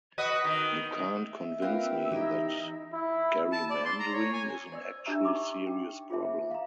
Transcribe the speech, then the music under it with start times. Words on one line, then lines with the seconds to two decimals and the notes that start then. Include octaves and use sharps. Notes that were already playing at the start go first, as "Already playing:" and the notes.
You can’t convince me that gerrymandering is an actual serious problem.
0.18 F#4 B4 D#5
0.45 D#3
1.24 E5
1.62 B3 C#4 F4 A#4 B4 F5 G5
2.12 E3 D#4 E4 G4
2.93 E4
3.52 A5
3.70 D5
3.85 C6
3.99 A#5
4.13 C#5
4.33 G#5
4.72 C5 D5 E6
5.06 D4 G4 E5 A5 A#5 E6
5.25 D#4 A#5 C#6 D6
5.67 G5
6.10 F4 G#4 C5 E5 A5
6.51 F5 A#5